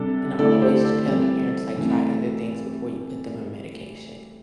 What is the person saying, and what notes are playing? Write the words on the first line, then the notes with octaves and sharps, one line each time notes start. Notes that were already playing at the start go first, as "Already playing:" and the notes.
and I always tell the parents, like, "Try other things before you put them on medication."
Already playing: C3 G3 D4 A4
D3 A3 E4 A4 D5
G4 C5
A4 D5
C3 E3 G3
C3 E3 A3